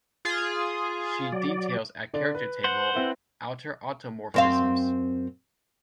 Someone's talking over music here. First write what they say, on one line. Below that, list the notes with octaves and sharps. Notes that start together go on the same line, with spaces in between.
See details at character table: outer automorphisms.
F4 G#4
F#3 D5
D3 D5
B4
C5 F#5
C4 E4 B4
F#2 C4 F5